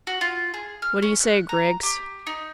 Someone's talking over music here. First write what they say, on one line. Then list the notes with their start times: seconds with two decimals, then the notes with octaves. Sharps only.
What do you say, Griggs?
0.07 F#4
0.21 F4
0.54 G#4
0.82 F6
1.02 C#4
1.20 F#6
1.49 A#5
1.83 G4
2.27 D#4